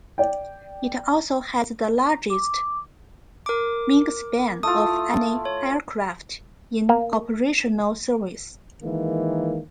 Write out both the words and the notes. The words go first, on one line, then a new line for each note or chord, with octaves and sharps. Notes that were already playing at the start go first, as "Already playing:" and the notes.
It also has the largest wingspan of any aircraft in operational service.
D5 G5
D6
A#4 D6
A3 E4 F4 D#6
C#5
A#3
D#3 E3 G#3 A#3